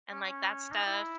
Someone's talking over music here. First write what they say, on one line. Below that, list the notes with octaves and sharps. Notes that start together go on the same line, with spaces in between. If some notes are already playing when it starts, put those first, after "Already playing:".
and, like, that stuff,
C#4
C#4
D#4
E4